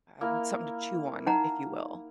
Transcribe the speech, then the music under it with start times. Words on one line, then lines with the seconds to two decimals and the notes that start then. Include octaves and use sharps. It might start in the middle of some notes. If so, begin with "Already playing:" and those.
um, something to chew on, if you will.
0.21 A#3 E4 A#4
1.26 D#4 F#5 A#5